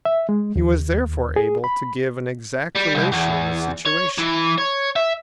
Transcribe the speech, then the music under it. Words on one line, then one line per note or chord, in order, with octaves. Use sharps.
He was therefore able to give an exact relation of the situation.
E5
G#3
D#2
G#4
B5
G3
C2
E2
C#5
E3
C#5
E5